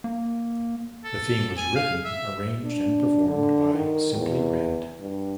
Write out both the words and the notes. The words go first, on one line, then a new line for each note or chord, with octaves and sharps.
The theme was written, arranged and performed by Simply Red.
A#3
A4
G#5
F5
E5
D4
D3
D#3
E2
G2